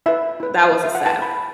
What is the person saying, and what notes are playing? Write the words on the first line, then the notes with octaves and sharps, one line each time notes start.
That was a sad
E4 B4 E5
E4 B4
E4 B4
E5
F#5
E4 B4 A5
B5